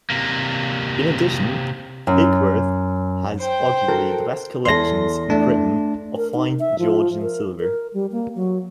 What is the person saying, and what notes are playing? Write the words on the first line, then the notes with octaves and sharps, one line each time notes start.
In addition, Ickworth has arguably the best collections in Britain of fine Georgian silver.
C3 A#3
F#2
C5 G5
F#4 A4 A#4
E2 A4 C6 A#6
A3 D4
A#4
D#4
E5
F3
A#4
A#4
G3
A#3
F#3